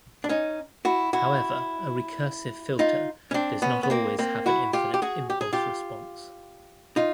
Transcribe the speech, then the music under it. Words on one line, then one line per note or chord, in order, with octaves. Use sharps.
However, a recursive filter does not always have an infinite impulse response.
D4
C#4 D#4
E4 F#4
E4 F#4
D#4 F4
C#4
C4 D4
B3 C#4
B3
A#3 C4
A#3 C4
E4 F#4
F4 G4
G4
F#4 G#4
G4
G#4
F4 G4
D#4 F4